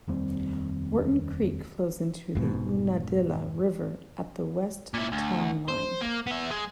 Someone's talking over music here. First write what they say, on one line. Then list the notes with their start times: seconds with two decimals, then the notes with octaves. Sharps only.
Wharton Creek flows into the Unadilla River at the west town line.
0.08 F1 D#2 G3 C4
2.35 F1 G#2 B2
4.94 A#2 E4
5.12 D2
5.68 C5
6.01 A#3
6.27 B3 E5
6.50 G#3